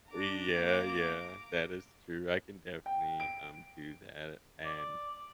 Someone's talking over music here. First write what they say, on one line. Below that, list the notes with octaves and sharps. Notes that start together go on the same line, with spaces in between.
Y yeah, yeah, that is true, I can definitely, um, do that, a and,
D4 A#5 D6
A#3
G5
D7
D5